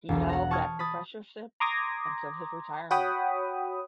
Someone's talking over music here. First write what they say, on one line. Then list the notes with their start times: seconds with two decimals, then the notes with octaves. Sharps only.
He held that professorship until his retirement.
0.09 E1 B1
0.29 F#5 A#5
0.51 A5 C#6 D#6 F6 G#6
0.79 B5 D#6 A6
1.60 A#5 C6 D6 D#6 G#6 A#6
2.91 F#4 C#5 F#5 G5 B5 D#6